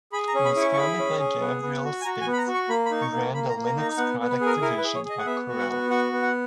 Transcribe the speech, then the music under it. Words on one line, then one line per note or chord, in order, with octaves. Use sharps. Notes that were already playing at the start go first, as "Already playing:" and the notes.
It was founded by Gavriel State, who ran the Linux product division at Corel.
G#4 B5
A#5
C#4
B5
E4
C#6
C#6
G#4 B5
C#4
G#4
B3
B3
F#4
G#5
F#4 A#5
G#5
B3
B5
A#5
F#4
C#6
A#3 B5
B5
D#4
C#6
A#3
A#3 B5
A#5
A#3
A#5
D#4 A#5
B3 F#5
B3
B4
G#4
A#4
E4 A#4
B4
G#4
C#5
G#4 D#5
F#5
B3 E5
F#4
F#5
B3
F#4 F#5
B3
F#5